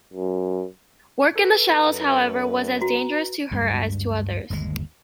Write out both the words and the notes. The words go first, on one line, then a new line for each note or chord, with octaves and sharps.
Work in the shallows, however, was as dangerous to her as to others.
F#2
A4 B4
F#2
F#4 A#5
D2 G2 G3 G#3
G1 D#2 A#2 G#3